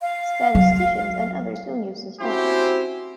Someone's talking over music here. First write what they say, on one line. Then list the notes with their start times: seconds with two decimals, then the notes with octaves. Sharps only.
Statisticians and others still use this form.
0.01 F5
0.55 F#3
2.21 C4 C#4 E4 F#4 G4 C5